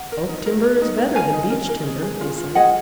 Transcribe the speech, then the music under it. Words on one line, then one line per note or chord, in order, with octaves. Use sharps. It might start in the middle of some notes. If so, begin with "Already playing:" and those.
"Oak timber is better than Beech timber," they said.
Already playing: F#5
A#4
D#4
A#4
A#4
D#4
A#4
A#4 F5 G#5
D#4
A#4
A#4
G#4
G#4
F4
F4
G#4 D#5 F#5